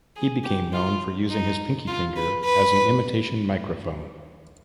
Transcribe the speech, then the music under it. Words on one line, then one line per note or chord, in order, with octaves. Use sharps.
He became known for using his pinky finger as an imitation microphone.
G#4
G4
F4
D#4
F4
B4
B4